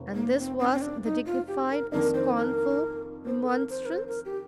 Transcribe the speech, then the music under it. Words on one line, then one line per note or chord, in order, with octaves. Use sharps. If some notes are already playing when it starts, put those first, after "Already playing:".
And this was the dignified, scornful remonstrance!
Already playing: F1 D#3
A#3
C4
C4
C4
D4
D#4
F4
G4
A#4
F2 D#3 A#3 D4 A#4
C5
A#4
C5
A4
A#4
C5
A#4
C5
A#4
G4